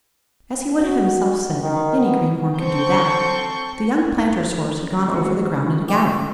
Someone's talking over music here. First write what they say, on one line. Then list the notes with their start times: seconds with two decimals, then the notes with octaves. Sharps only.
As he would have himself said, any greenhorn could do that. The young planter's horse had gone over the ground at a gallop.
0.80 F#4
1.63 D#3
2.00 B3
2.60 C4 A4 C#6 G6
4.04 D4 D#4 A4
4.83 C#4
5.12 G#3 A3 C4 F#4 C5
5.88 D3 C#4 G4